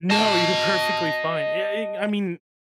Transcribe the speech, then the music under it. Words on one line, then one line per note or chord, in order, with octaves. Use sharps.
No, you're perfectly fine. Yea yea i I mean,
D#5 A5